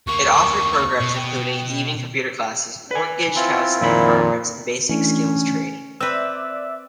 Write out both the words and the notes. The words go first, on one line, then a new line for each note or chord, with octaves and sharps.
It offered programs including evening computer classes, mortgage counseling programs and basic skills training.
D2 A#3 C#6
B2
G5
B4 G#5
C4 E4 F4
F2 A#2 D#3 B5
E3 A3 C#4 D4
C4 B4 D5 E5 E6